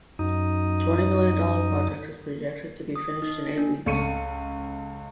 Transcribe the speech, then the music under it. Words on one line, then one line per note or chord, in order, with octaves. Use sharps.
The twenty million dollar project is projected to be finished in eight weeks.
F#2 D#4
D#6
D#4
D4
C#2 A4 C#6 C#7 D#7